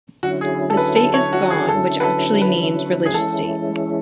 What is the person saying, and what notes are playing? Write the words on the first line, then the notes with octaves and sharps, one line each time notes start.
The state is gone", which actually means "Religious state?
D3 F#3 C#4 E4 F#4
G#4
A4
B4
A4
C#5
F#4
G#4
A4
B4
A4
B4
G#4
E3 G#3 C#4 E4 A4